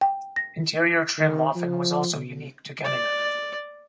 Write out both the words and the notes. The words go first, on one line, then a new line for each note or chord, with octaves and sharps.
Interior trim often was also unique to Canada.
G5
A#6
D#3
F3
B2
D5